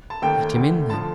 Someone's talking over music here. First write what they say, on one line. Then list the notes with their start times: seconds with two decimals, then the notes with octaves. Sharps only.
"Let him in, then."
0.10 A5
0.22 D#2 D#3 A3 G5
0.56 D2 D3 A3
0.90 D3 F3 A5